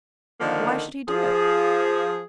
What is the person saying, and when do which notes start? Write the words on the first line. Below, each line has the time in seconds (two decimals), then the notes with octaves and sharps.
Why should he do it?
0.41 D3 D#3 F3 A#3 D4
1.09 F3 G#4